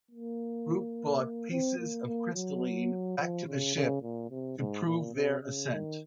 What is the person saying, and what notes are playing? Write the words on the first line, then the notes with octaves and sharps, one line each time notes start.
The group brought pieces of crystalline back to the ship to prove their ascent.
A#3
C4
A#3
A#3
F#3
F3
C#3
C#3
A#2
C3
G#2
A#2
C3
C#3
D#3